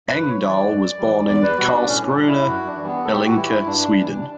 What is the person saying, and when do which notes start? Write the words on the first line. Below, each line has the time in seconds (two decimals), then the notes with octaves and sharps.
Engdahl was born in Karlskrona, Blekinge, Sweden.
0.08 G2 B4
0.29 C#5
0.39 E3 G3
0.49 D5
0.69 F#2
0.99 E3 G3
1.28 E2 D5
1.43 B4
1.58 B2 G3 F#4
1.73 D4
1.88 A2 C#4
2.03 C#4
2.07 D4
2.17 G3
2.27 E4
2.47 F#2 F#4
2.67 D4
2.77 E3 G3
2.87 B3
3.04 A2 A4
3.15 G4
3.26 F#4
3.36 E3 G3 E4
3.66 G2 D4
3.96 E3 G3
4.21 D4